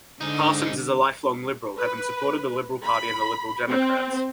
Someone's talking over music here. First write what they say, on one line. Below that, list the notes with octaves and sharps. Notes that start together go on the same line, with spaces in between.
Parsons is a lifelong Liberal, having supported the Liberal Party and the Liberal Democrats.
G#2 D3 D#4
B4
B5
C4